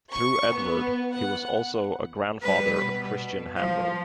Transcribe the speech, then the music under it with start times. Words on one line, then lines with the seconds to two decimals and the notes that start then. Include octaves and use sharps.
Through Edvard, he was also a grandfather of Christian Hambro.
0.14 C#6
0.55 B3
1.12 F#5
2.42 G3 B4
2.81 B2
3.56 F3